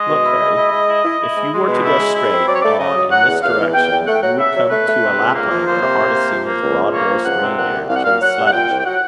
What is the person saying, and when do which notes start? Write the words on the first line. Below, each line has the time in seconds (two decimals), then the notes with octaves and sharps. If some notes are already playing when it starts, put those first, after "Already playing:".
Look, Harry, if you were to go straight on in this direction, you would come to a Laplander, harnessing his broad-horned reindeer to his sledge.
Already playing: G#3 D#5
0.09 B2
0.25 E4
0.41 G#3
0.57 E4
0.72 G#3
0.88 E4
1.04 E4
1.20 E4
1.36 G#3
1.53 G#3
1.68 B2
1.85 E4
1.99 G#3
2.16 E4
2.32 C4
2.47 F#3 D5
2.56 C#5
2.62 A3 D5
2.79 C#3 D#5
2.96 F#3
3.11 F#3 F#5
3.27 E2
3.43 E2 F5
3.59 E2
3.75 E2 G5
3.91 E2
4.07 A3 F#5
4.15 G5
4.22 F#3 F#5
4.39 C#3 E5
4.55 F#3
4.70 A3 B4
4.87 A3
5.03 C3
5.18 C#2
5.35 A#3
5.50 F3
5.67 A#3 C5
5.82 C3
5.98 A#3
6.14 C3
6.30 F3
6.46 A#3
6.63 C#2
6.78 F3
6.94 A#3 C#5
7.09 F3
7.25 C#2 F#5
7.41 C3
7.57 A#2 F#5
7.73 C2
7.89 C2 F5
7.96 F#5
8.04 A#2 F5
8.21 F#3 F#5
8.38 C2
8.46 F#5
8.53 A#2 G5
8.70 C2
8.79 G5
8.85 F#3 F#5